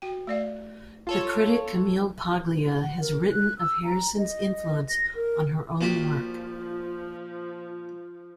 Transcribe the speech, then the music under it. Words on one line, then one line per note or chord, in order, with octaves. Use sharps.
The critic Camille Paglia has written of Harrison's influence on her own work.
F#4 G5
A3 D5 F5
F4 A4 C#5
F#5
A#4
F#6
E6
A#5
D#5
A#6
A#4
A#2 F3 F#4 G4